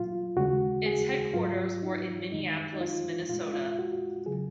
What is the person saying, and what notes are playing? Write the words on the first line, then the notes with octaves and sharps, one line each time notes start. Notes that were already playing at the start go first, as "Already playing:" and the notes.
Its headquarters were in Minneapolis, Minnesota.
Already playing: A#2 F#3 F4
D#2 C#3 G#3 F#4
G#4
G#2 F#3 F4
D#4
F#2 D#3 G#3 D#4
D#4
F4
A#2 G#3 F4
F4
F#4
C#3 F#3 G#4